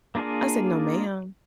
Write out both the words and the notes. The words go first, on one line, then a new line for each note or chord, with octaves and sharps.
I said, "No, ma'am."
A#3 D4 F4 G#4 A#4